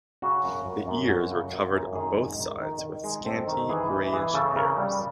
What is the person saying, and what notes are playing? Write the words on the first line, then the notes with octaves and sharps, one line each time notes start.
The ears were covered on both sides with scanty grayish hairs.
C#3 F#4
F#2
F#2
F#2
F#2 F#4
C#3
F#2
F#2
D#3 G#4
G#3
D#3
D#3
D#3
G#3
C4 A4
D#3
E3 G#4
E3
E3 G#4
C#3 A4
C#3 A#4
G3